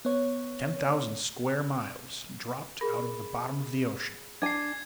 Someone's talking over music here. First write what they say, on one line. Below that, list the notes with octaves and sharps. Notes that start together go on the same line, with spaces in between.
Ten thousand square miles dropped out of the bottom of the ocean!
B3 C#5
G#4 A#4 B5
D4 G#5 G#6 C7